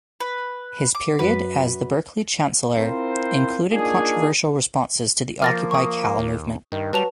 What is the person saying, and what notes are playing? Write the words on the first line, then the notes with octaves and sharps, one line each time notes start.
His period as the Berkeley chancellor included controversial responses to the Occupy Cal movement.
B4
D6
F#2 F#4 B4
C4 E4 F4 A#4 C5
A#3 D4 D#4 F4 G#4
F3 A#3 F6 A6 A#6
C#6 D#6
D#2
G2 D#3
F#3 G3 B4 A5 F7